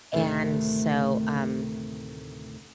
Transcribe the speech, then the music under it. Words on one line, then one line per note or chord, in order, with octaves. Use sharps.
and so, um,
D2 A2 C3 D#3 A3 D4